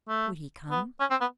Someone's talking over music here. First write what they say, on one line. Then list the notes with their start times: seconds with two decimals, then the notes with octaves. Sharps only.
Would he come?
0.08 A3
0.70 B3
1.00 C#4
1.10 C4
1.21 B3